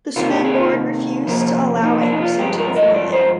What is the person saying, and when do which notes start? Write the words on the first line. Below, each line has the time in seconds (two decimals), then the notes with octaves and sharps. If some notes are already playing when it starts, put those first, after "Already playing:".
The school board refused to allow Anderson to perform there.
0.16 C3 D#3 A#3 F4
0.30 G4
0.44 G#4
0.53 D#4
0.59 F4
1.27 C3 F3 A#3
1.84 D#4
2.01 D4
2.13 D#4
2.20 F4
2.39 G2 F3 G#3 G4
2.58 A#4
2.76 D#5
2.94 D5
3.13 C5